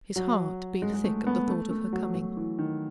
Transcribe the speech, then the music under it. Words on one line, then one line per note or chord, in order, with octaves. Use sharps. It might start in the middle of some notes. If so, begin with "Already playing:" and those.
His heart beat thick at the thought of her coming.
F#3
G#3
G#3
A3
B3
A3
A3
F#3
F#3
E3
D#3